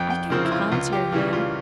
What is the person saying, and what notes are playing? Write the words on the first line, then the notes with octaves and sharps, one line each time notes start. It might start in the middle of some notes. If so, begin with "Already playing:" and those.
"I can canter now!"
Already playing: F2 G5
G5
C#3 F3 C4 A#4
E4
F4
C#2 F4
G4
C#3 E3 G3
F4